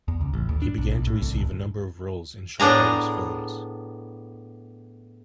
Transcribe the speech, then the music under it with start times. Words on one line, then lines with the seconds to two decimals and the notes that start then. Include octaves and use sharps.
He began to receive a number of roles in Shaw Brothers films.
0.08 E2
0.21 C#2
0.34 A1
0.49 D#2
0.62 D4
0.78 B1
0.92 B1
1.07 A2
1.22 C2
1.36 D1
2.60 A2 B3 D4 G#4 A#5